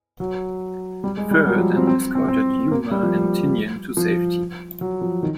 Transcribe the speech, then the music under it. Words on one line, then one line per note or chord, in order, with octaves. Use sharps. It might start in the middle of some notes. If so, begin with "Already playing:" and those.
"Fir" then escorted "Yuma" and "Tinian" to safety.
F#3
G3
G#3
G3
F#3
F3
C4
C4
C4
C4
A#3
G3
F3
F3
F#3
F3
D#3